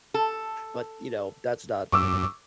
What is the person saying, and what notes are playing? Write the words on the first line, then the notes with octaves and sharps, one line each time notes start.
but, you know, that's not
A4
F#2 C#6 D6 E6